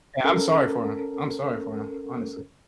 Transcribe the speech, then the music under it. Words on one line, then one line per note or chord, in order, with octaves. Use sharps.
Yeah, I'm sorry for him, I'm sorry for him, honestly,
C#4 A4 A#4